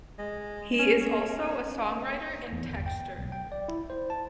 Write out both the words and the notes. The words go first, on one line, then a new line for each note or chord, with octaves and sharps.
He is also a songwriter and texter.
G#3
C#4
C#4
E2
G1
G5
B1
G5
D5
E4
C5
A5